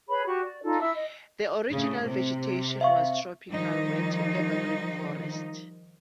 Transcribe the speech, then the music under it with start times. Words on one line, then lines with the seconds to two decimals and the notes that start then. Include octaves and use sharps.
The original vegetation was tropical wet evergreen forest.
0.08 G#4 B4 C#5 B5
0.25 F#4 G4 C#6
0.41 D5
0.63 D4 D#4 F4 A4
0.80 E4 E5 E6
0.94 D#5
1.71 A2 C#3
2.05 C3
2.81 E5 F5 C#6
3.49 D#3 F3 G3 D#4